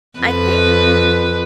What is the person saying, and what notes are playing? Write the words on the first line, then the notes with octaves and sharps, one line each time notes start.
I think
F2 B4